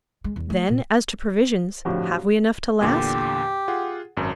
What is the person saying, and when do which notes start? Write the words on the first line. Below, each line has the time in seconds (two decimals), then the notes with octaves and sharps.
"Then, as to provisions, have we enough to last?"
0.24 G#3
0.36 E2
0.50 A3
0.69 A#2
1.85 F2 A2 D3 F3 F#4 G4
2.81 E2 A#2 D3 G4
3.68 F4 G#4 F#5
4.17 G#1 F#2